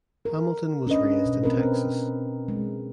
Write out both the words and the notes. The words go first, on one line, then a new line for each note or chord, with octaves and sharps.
Hamilton was raised in Texas.
A#4
C#4 D4 B4 D#5
B2
C4 A#4 B4
G#3